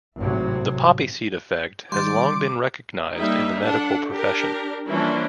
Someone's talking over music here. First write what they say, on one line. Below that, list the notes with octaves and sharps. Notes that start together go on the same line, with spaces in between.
The poppy seed effect has long been recognised in the medical profession.
G#1 A2 C3 F#3
D#3 G3 C6 D6 G6 A6
G3 A#3 D#4 E5
D4 A4 F#5
D4 G4 A#4
E3 F3 G3 A#3 C#4 D4